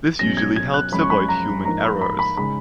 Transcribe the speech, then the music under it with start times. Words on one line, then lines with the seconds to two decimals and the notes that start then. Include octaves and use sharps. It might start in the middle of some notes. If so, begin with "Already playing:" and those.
This usually helps avoid human errors.
0.19 B2 F#3 C#4 A#6
0.37 G#6
0.56 G#6
0.74 F#6
0.92 F#2 F3 G#3 C#4 B5
1.01 C#6
1.10 B5
1.28 A#5
1.65 G#2 F3 A#3 D#4 A#5
1.83 B5
2.01 B5
2.19 B5
2.37 C#3 G#3 D#4 B5